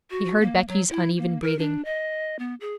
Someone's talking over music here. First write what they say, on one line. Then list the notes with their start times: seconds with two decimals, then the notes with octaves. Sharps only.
He heard Becky's uneven breathing.
0.10 F#4
0.41 A#3
0.68 F#3
0.90 E4
1.18 A#3
1.42 A#4
1.59 D4
1.85 D#5
2.39 B3
2.60 G#4